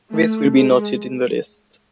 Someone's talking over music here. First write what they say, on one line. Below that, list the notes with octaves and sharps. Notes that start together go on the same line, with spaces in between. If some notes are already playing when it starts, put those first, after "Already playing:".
This will be noted in the list.
A3
G#3